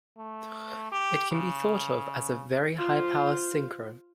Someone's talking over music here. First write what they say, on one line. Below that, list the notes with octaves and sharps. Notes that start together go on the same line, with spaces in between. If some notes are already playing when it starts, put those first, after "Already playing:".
It can be thought of as a very high power synchro.
A3
G4
C#3
F4 C5